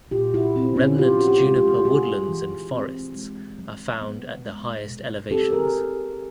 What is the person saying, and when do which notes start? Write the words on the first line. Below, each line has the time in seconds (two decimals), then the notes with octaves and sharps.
Remnant Juniper woodlands and forests are found at the highest elevations.
0.11 A#2 F4 G4
0.34 E4 F#4
0.55 A#2 C4
0.76 C#4
0.98 E3 F4 G4
1.19 F#4
1.27 F4 G4
1.42 G#3
1.56 F4 G4
1.85 A3 F#4 G#4
2.28 E3
2.71 C4
3.15 G#3
3.59 F#3
4.01 B3
4.45 G#3
4.88 B2
5.31 C4 G4 A4
5.52 G#4 A#4